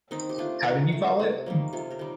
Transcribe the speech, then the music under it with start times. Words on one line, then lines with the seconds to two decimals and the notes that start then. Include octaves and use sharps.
How did you call it?
0.11 D#3 C4 D#4
0.29 G4
0.38 A3 D4 F4
0.65 D#3
0.92 A3
1.20 C3
1.46 D#3 G3 A#3
1.73 C3 F4 A4
1.90 G4 A#4
1.99 D#3 G3